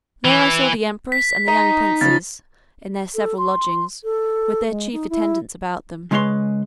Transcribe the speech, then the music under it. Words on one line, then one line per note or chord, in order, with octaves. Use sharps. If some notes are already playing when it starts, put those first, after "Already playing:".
There I saw the empress and the young princes, in their several lodgings, with their chief attendants about them.
E3
B6
D#4 D#5 A#5
C#3 F3 A6
A4
C6
A4
G#3
D#4
E4
C#3 G#3 F4 B4 C#5 C6